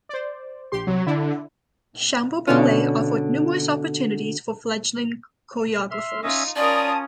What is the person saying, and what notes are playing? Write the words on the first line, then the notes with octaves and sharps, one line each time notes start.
Chamber Ballet offered numerous opportunities for fledgling choreographers.
C5 D5
A#1 G4 C6
C2 F#3
D3 D4 E4
B2 D3 C#4
E5 C6 F6
C#4 D#4 F4 D#5 E5
C#4 F4 A#4 D5 A5 D#6